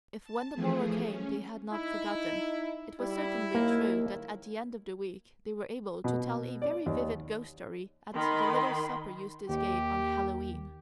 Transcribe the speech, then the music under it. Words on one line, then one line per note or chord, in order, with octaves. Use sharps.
If when the morrow came they had not forgotten, it was certainly true that at the end of the week they were able to tell a very vivid ghost story at the little supper Eustace gave on Hallow E'en.
A5
E3 F3 A3 G#4
C#4
D#4 E4
G3 E4
D#2 A#3
B2
D5
D#2
D#3 B5 C6
D#2 G4